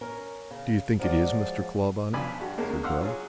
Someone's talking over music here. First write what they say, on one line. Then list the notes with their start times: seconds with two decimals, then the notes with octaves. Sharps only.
"Do you think it is, Mr. Clawbonny?" said Bell.
0.01 C#4 A#4
0.51 C#3
0.99 F3 F#3 G#3 D5
2.14 B1 F3 F4 D5 G#5 B5
2.40 G2 F#4
2.57 E2 C#3 G#3 A#3 A5
2.83 F5 F#5 C6 D6 E6 F6
3.01 F#3 F4 G#4